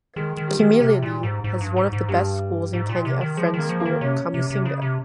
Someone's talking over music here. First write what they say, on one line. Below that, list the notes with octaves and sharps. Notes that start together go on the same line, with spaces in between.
Kimilili has one of the best schools in Kenya, Friends School Kamusinga.
D#3 G#3
D#3
G3
D#3
C3
A#2
G#2
G#2
G2
G#2
G#2
G2 G3
G#2
A#2
C3
D#3
F3 G#3
D#3 A#3
F3
A#3
D#3
C3 C#4
C3
C3
C#3
C3